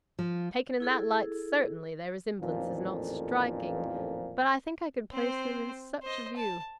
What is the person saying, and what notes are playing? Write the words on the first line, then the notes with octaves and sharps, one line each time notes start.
Taken in that light certainly, their resemblance is not striking; but I think I could place them in such a view.
F3
E4 G#4 A4
A1 F2 A#2 D#3 F3
C4 C5
C5 D#5
A5